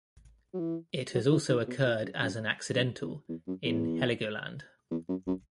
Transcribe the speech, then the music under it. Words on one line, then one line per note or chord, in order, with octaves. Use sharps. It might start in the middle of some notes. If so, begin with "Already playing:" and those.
It has also occurred as an accidental in Heligoland.
F#3
E3
F#3
E3
D#3
B2
A#2
F#2
F#2
F#2
E2
E2
F#2
E2
E2
F#2
F#2